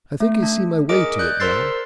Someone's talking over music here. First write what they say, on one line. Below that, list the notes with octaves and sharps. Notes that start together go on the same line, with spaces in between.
I think I see my way to it now.
A3
D4
G#4 A#4 D#5 D6 D7
D5 F#6 G6
A#4 C5 C6 E6 A6 C7